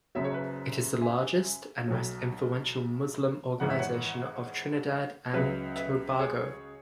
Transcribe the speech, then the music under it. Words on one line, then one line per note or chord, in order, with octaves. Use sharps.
It is the largest and most influential Muslim organisation of Trinidad and Tobago.
F#1 F#2 C#3 F#3 E5
C#5
B4 E5
E5 G#5
B1 B2 F#3
G#1 G#2 E3 F#5
E5
C#5 F#5
C#2 C#3 F#3 B4 E5
B4 E5
G#4 C#5